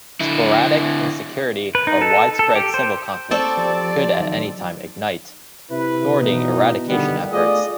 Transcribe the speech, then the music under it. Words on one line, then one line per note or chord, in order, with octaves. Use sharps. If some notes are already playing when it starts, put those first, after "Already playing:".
Sporadic insecurity or widespread civil conflict could at any time ignite, thwarting eradication efforts.
D3 E4
B4
D#4
A4
A4
G4
C5
C4 A4 D5 C#6
F3 G4 C5
D#3 F#3 D#4
C3 E4 B4
B2 E3 D#4
D3 D#3 G3 B3
A3 F4 G#4 D5 D#5